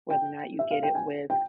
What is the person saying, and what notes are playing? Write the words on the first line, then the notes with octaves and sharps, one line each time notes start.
whether or not you get it with
G5
E5
F5
G5
G#5
G5